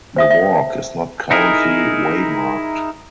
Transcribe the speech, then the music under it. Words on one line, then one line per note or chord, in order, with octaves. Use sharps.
The walk is not currently waymarked.
C5 E5 D#6
E5
D#4 E4 G#4 A#4